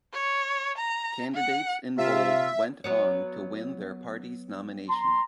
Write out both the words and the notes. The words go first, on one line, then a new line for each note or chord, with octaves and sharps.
Candidates in bold went on to win their party's nomination.
C#5
A#5
F#5
C3 F4 E5
F#3 B3 C#5
A#5 C6